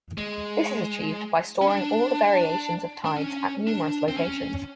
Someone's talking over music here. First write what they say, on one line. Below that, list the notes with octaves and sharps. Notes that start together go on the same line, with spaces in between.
This is achieved by storing all the variations of tides at numerous locations.
G#3
C#4
D4
D4
C#4
D4
C4
C#4